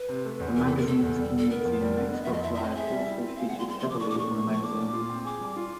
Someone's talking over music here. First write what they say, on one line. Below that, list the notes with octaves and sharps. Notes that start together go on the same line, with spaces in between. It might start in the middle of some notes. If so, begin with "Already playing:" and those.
The magazine's community and Xbox Live also featured heavily in the magazine.
Already playing: B4
C3
A3
E2
E3 A#4
A4
C3
A#4
A3 A4
E2
G3
D3 A4
B3 A#4
F2
G3
D3
B3 D#5
E5
F2
D#5
E4 E5
E5
C4 D#5
D#5
G#4 E5
G3
E4
C4
G#4 F5
F#5
G3
C6
A#3 C6
C6
F3 D6
D4 C#6
D6
A#2 C#6
A#3
F3
C#6
D4 D6
A#2
F4
C4
G#4 D6
G3
F4